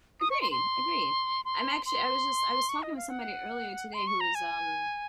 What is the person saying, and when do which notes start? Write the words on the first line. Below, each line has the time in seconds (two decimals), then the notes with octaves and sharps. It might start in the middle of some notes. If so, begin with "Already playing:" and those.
Agreed, agreed. I'm actually, I was just I was talking with somebody earlier today who is, um,
0.20 D#6
0.31 C#6
0.41 C6
0.52 C6
1.45 C6
1.86 C6
2.69 C#6
2.83 D#5
2.97 F5
3.10 F#5
3.94 C6
4.07 C#6
4.20 A#5
4.35 G#5